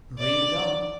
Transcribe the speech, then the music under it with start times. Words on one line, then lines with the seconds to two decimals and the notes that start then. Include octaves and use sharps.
Ring a dong!
0.19 D5